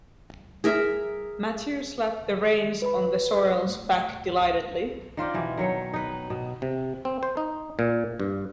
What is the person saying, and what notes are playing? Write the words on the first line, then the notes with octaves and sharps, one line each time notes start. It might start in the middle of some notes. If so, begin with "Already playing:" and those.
Matthew slapped the reins on the sorrel’s back delightedly.
G#4 A#4 E5
B4 B5
D#3 F4 C5 D5
B2 E3 C4
D#3 F#3 C#5
D#4 B4
B2
C3
C4
C5
D#4
A#2
G2